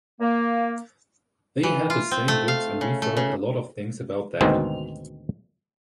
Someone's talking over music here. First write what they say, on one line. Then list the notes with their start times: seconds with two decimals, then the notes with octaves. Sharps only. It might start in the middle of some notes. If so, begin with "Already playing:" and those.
They had the same books and we've heard a lot of things about that.
0.21 A#3
1.63 E3
1.90 F4
2.11 C4
2.28 A3
2.48 F5
2.81 C#3
3.02 A3
3.17 C#3
4.41 D2 G#2 B2 D#3 G#3 C4